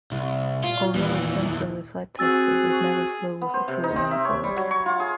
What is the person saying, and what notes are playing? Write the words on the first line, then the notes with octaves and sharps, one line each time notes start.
Although extensively flight tested, it never flew with a crew on board.
C2
A#2 F4
D#2 E3
C4 F#4 G#4 E6 A6
B3
C5
C3
D#4
C4
E5
C#5
G3
F#3
C#6
F4
G#4